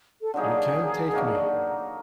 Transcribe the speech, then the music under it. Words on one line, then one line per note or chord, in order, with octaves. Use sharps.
You can't take me!
A4
D3 F#3 A#3 D#4 G#4
D3 F#3 A#3 D#4